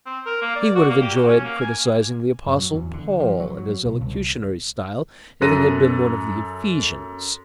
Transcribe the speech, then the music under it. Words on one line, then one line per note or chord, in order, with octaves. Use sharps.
He would have enjoyed criticizing the Apostle Paul and his elocutionary style if he had been one of the Ephesians.
C4
A#4
A#3
D5
F#4
A#3
G4
F#4
C#4
A#3
G#5
F#2
F#3
E2
D3
F3
F#3
F#3
B1
C2
F#2 A4 F#6 A#6 D#7